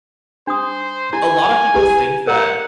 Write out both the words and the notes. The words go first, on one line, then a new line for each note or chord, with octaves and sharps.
a lot of people think that
D4 C5 D#6
E4 G#5
E4 G4 B4
A#4 F#5 A#5